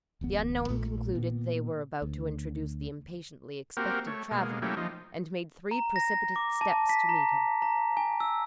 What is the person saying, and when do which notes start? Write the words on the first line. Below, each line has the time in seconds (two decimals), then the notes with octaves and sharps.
The unknown concluded they were about to introduce the impatiently expected traveler, and made three precipitate steps to meet him.
0.21 D1 A1 B3
0.69 A#1 A#2 A3
1.12 A#2 B3
2.02 D2
3.77 A#3 C4 F#4 G4 A#4
4.07 A3 C#5
4.31 B2 G#3 A#3
4.62 F#3 A3 A#3 C#4 E4 G4
4.77 F3 D#4
5.71 A#5
5.96 A#6
6.11 A#6
6.36 D6
6.61 A5
6.89 B6
7.09 A#5
7.62 A#5
7.97 G#5
8.20 E6